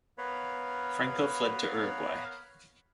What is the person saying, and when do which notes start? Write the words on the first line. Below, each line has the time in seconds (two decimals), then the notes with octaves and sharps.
Franco fled to Uruguay.
0.18 B3 A#4 B4 C#5 F5 B5